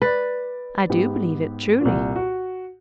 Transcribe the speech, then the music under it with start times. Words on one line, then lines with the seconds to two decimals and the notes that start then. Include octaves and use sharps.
"I do believe it, truly."
0.02 B4 D5 A6
0.90 G#2 B3 G4
1.81 C2 A#2
2.16 F#4